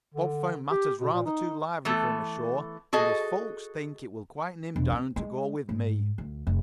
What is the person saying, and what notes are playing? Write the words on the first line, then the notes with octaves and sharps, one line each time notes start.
"Bob found matters rather too lively for him ashore, and his folks think it will quiet him down to go with me."
D3
G4
B2
A#2
D#4
E3 A3 B3 A4
F#4 G#4 A4 D#5
E1
C4
G#3
G#2
D2
F1